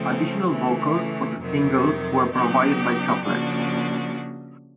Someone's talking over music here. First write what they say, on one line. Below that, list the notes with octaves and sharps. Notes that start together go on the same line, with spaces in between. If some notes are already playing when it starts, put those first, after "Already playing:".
Additional vocals for the single were provided by Chocolette.
Already playing: C#3 F3 A3 C4
C#3 E3 A3
F2 C3 D#3 F#3
C#3 F#3 B3 D#4 G4
C#3 F3 A#3 D4 F#4